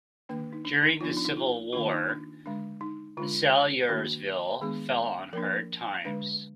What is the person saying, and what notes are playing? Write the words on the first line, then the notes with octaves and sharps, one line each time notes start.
During the Civil War, Salyersville fell on hard times.
D#3 A#3 D4 B4
D#4
D4
D#4
F3 B3 D4 F4
D#4
D4
D#4
F4
D#3 A#3 D4 F4
D#4
D4
D3 G#3 D4
D#4
D3 G#3 D4 F4
D#3 A#3 D4 F#4
D#3 G#3 B3 D4 G#4
F3 A#3 D4 A#4
D3 G#3 D4 B4